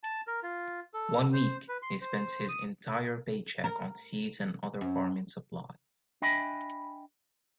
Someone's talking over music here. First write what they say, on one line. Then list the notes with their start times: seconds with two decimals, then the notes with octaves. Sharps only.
One week he spends his entire paycheck on seeds and other farming supplies.
0.03 A5
0.27 A#4
0.43 F4
0.94 A4
1.33 C5
1.69 B4
1.82 C6
2.01 C5
2.49 D#6
3.64 A#4
4.81 F#2
6.22 D4 D#5 E5 G5 G#5 B5